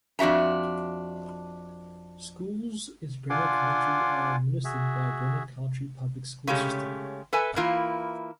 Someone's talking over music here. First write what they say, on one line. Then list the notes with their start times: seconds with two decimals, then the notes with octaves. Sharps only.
Schools is Greene County are administered by the Greene County Public School system.
0.19 F2 D4 F#4 E5 A#5
3.30 D4 F4 F#5 G#5 C6 D6
4.65 F#4 G#4 E5
6.47 C#3 G#3 A3 C#4 G4
7.33 A4 B4 E5 G#5
7.56 E3 A#3 E4 F4